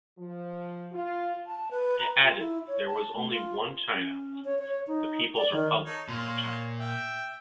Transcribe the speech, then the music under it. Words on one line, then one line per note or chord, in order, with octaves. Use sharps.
It added, there was only one China, the People's Republic of China.
F3
F4
A5
B4
A#5
F4
E4
C#5
A5
A3
F4
C#4
C#5
C#5
D#4
D5
D#3
D#4 A4 C#5
A#2 C#5 C6
E5 G5